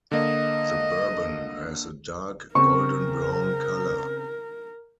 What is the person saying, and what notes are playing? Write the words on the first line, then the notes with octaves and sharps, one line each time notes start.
The bourbon has a dark, golden-brown color.
D3 A#3 D#5
C#3 C4 A#4 C#6